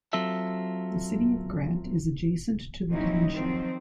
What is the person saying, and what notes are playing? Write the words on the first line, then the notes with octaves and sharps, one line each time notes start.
The city of Grant is adjacent to the township.
F#3 C4 F4 A4 E5
F#3 A#3 C4 C#4 D#4 E4
D#3 F3 F#3 C4